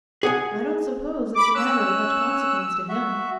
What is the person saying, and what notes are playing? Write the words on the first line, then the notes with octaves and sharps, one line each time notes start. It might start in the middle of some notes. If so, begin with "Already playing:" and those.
'I don't suppose it's a matter of much consequence to HIM.
G#4 F#5 G#5
B5 D6
C#4 E6 F#6
F#4 E5